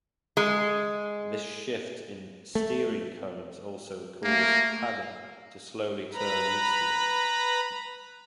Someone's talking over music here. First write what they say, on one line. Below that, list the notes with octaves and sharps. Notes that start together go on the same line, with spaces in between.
This shift in steering currents also caused Pali to slowly turn eastward.
G#3
A3
A3 A#3
B4 A#5 B5